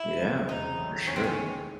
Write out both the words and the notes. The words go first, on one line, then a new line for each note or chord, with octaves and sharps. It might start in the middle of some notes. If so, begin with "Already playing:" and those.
Yeah. For sure.
Already playing: E4
C#2 C#3 G#3
E1 E2 C#3 G#3 C4 D#4
A1 A2 F#3 A3
F#1 E2 C3 D#3 C#4
C4
C#4
D#2 D#3 G#3